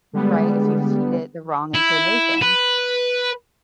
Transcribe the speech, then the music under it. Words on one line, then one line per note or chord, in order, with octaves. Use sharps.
right, if you feed it the wrong information.
D3 G3 G#3 B3
E4
B4